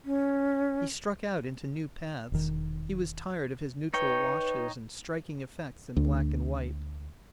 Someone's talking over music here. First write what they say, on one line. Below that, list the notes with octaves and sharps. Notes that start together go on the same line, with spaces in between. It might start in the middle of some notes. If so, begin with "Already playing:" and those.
He struck out into new paths; he was tired of his neutral washes, and striking effects in black and white.
C#4
E1 D#3
D#4 B4 C#5 G5
D2